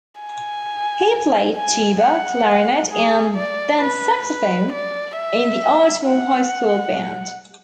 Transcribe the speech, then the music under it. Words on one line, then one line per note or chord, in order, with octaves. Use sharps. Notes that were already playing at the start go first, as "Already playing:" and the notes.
He played tuba, clarinet, and then saxophone in the Ardmore High School band.
G#5
G#5
F#5
G#4
D5
B4
B4
D5
E5
F#5